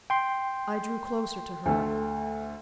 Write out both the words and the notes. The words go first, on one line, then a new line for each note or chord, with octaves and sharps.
I drew closer to her.
G5 C6
D2 A3